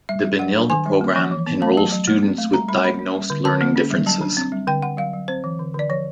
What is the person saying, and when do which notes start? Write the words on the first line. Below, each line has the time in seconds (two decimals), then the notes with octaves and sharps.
The Benilde Program enrolls students with diagnosed learning differences.
0.09 G3 E5
0.25 G3
0.39 F#3 F#5
0.55 D4
0.70 D#3 G#5
0.86 G3
1.01 A#3
1.16 F3
1.31 E3
1.46 B3
1.62 A3 A5
1.77 F#3 A5
1.92 F#3
2.08 A#3
2.23 C4
2.38 A3
2.53 G3 A#5
2.68 G3 B5
2.84 A#3 B5
2.99 C#4
3.15 G3
3.30 D3
3.45 D3 A5
3.61 A#3
3.76 C#4
3.91 G3
4.06 F#3 A5
4.21 D4
4.37 C4
4.52 G3
4.67 D3 G5
4.82 D3 F#5
4.97 F#3 F5
5.13 F#3
5.28 C4 C5
5.44 E3
5.59 D3
5.74 D3 D5
5.90 F3 C#5